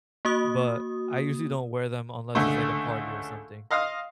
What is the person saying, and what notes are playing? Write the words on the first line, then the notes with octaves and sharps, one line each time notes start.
but I usually don't wear them unless it's, like, a party or something.
A#3 F#4 D#6
C#2 D3 A3
D#5 F5 C6 D#6 F6